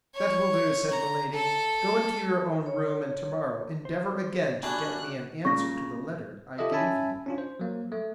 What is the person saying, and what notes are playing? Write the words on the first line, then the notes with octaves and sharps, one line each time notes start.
"That will do," said Milady; "go into your own room, and tomorrow endeavor again to get me an answer to the letter I gave you."
C#5
A#5
A4
C#5
C5
G3 A3 D4 F#4 G#5 F#6
A#2 C#3 C#6 A#6
F4 G4 A4 D#5 E5
C#4 E5 G#5 A5 B5
C#4 D4 F4
C5
F#3 A#3
A3